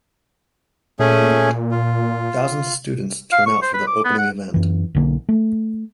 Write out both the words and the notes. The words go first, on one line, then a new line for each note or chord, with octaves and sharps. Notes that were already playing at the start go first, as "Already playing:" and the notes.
Thousands of students turn out for the opening event.
A#2 A3 C#4 G#4
F4
F5
C#6
C5
B4
D6
B3
F#5
F#2 E3
B1 D3 A#3
A3